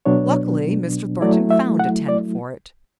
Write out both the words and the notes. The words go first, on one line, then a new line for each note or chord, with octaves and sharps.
Luckily, Mr. Thornton found a tenant for it.
B2 F#3 B3 D4 C#5
F#3 A3 E4 D5
E5
F#5
D5